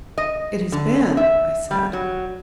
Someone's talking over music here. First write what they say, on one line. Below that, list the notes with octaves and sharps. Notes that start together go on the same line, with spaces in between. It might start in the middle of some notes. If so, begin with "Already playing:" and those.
"It has been," I said.
D#5
D3
E5
G3
F#3